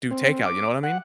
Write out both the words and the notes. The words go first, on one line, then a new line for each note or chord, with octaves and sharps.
do takeout, you know what I mean.
C4
D6
F#5